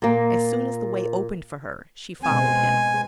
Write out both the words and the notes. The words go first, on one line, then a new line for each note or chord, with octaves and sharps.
As soon as the way opened for her, she followed him.
A#2 A#3
B2 G#3 C4 G#5